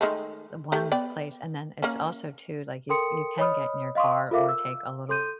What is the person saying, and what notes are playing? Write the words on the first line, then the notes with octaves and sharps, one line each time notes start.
the one place and then it's also too, like you you can get in your car, or take a little,
D#3 G#3 A3
A3 G4
B3 D5 G5
A#3 C#4
A4 A#4 G5 C6 D#6 C#7
C#5 D#5 B5 D#6 F6
D#5 F5 C6 C#6 D#6
F4 A4 A#4 E5 F5 D6
E6
A4 C6 G6 D#7